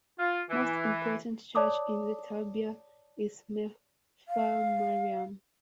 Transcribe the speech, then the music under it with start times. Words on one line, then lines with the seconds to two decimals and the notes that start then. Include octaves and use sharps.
Most important church in the "tabia" is Melfa Maryam.
0.19 F4
0.50 E3
1.55 C#5 D5 A5 D6 D#6
4.27 F5